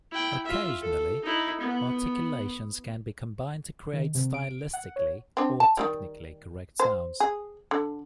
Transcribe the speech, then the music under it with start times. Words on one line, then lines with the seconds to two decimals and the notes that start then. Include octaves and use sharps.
Occasionally, articulations can be combined to create stylistically or technically correct sounds.
0.12 E4 G5
0.46 F4 E5
0.81 A4
1.25 D#4 E4
1.61 B3
3.93 D#3
4.15 C3
4.34 D7
4.73 F#5
4.96 C#5
5.37 C4 D4
5.60 A5
5.77 D#3 F#3 G3
6.80 C5
7.20 G#4
7.71 D3